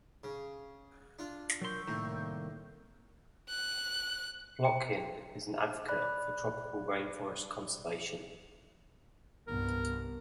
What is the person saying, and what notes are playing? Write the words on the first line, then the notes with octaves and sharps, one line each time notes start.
Plotkin is an advocate for tropical rainforest conservation.
C#3
D4 F4
F#3 A#4 C6 C#6 E6 G6
C2 F#2 A2 D#3 A#3
F#6
G5
D5 B5 F#6
C2 G2 B3 A#4